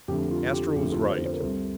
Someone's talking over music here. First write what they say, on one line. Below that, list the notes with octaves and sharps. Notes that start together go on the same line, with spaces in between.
Astro was right.
F2 D3 A3 G4
F4
G4
F2 D3 A3 G4
F4 A4
A4 C5
C5
A#4
C2 C3 G3 A4 C5